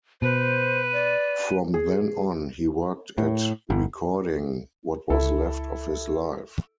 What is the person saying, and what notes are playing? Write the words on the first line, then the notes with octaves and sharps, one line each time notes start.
From then on, he worked at recording what was left of his life.
B2 B4 C5 D#7
D5
G#4
A2
G1
C#2 E4 A4